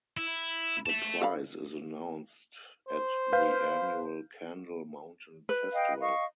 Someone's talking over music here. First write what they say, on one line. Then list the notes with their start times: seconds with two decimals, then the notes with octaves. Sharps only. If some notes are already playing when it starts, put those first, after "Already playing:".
The prize is announced at the annual Kendal Mountain Festival.
0.17 E4
0.86 E5 A5
1.21 A4 F5 B5
2.88 C5
3.33 B4 F5 G6
5.49 B4
5.74 D#5 F5 G5
6.01 D#5 F5 C#6